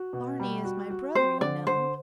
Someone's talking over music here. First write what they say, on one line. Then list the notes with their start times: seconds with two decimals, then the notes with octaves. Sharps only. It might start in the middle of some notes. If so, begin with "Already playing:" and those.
"Barney is my brother, you know."
Already playing: F#4
0.13 B2
0.40 G3
0.65 F#4
0.90 F#4
1.15 C4 C5
1.41 D3 D5
1.67 D3 C5